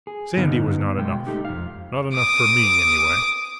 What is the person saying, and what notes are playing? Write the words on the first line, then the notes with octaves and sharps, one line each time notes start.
Sandy was not enough; not enough for me, anyway.
G#4
G2 D3 B3 D#4 F5
B2 G#3 G5
A3 D#4 G4
F2 F5
D6 D#6